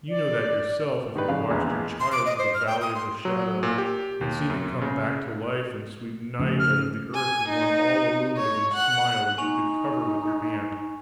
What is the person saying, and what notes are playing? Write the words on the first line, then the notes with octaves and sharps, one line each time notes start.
You know that yourself, if you've watched your child through the Valley of the Shadow and seen it come back to life and sweep night out of the earth with one all-illuminating smile that you could cover with your hand.
D5
D#3 D#4 G4 B4 D5
F2 C#3 F5
A#1 E2 F3 G#3
C6
D6
D#5
C5
F6
G5
D#6
C6
F#3
A#2
G4
D#2
F#2
C#3
C#3 F3 A3
F6
G#5
D#4
C#5
F#5
D#4 G#5 C#6 F7